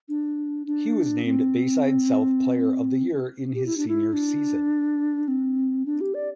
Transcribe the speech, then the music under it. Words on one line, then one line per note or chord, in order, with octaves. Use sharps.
He was named Bayside South Player of the Year in his senior season.
D4
D4
C4
G4
E4
D4
E4
D4
C4
D4
G4
D5